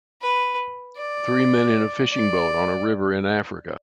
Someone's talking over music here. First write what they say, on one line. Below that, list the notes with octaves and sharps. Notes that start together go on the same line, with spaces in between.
Three men in a fishing boat on a river in Africa.
B4
D5
D5